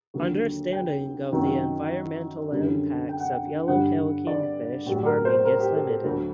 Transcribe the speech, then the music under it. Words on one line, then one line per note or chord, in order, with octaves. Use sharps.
Understanding of the environmental impacts of yellowtail kingfish farming is limited.
D#2 D3 F#3
G5
F#2 D#3 F#3
F#2 D3 G3
G5
F#5
G5
G2 D3 G3 F#5
D5
A2 F#3 G4
A#4
C5
A#4
G4
A4
A4
D2 D3 F#3